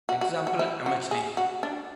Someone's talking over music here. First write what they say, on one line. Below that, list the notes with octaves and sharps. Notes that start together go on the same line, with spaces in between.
Example mhd.
F#4
F#4
F#4
E4
F#4
G#4
F#4
D4